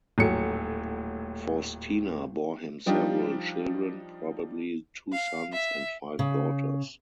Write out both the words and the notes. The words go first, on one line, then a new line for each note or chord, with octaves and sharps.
Faustina bore him several children, probably two sons and five daughters.
D#1 A2 F#3 C#7
F3 G3 D4 D#4 F4 G4
F5
E5
C#3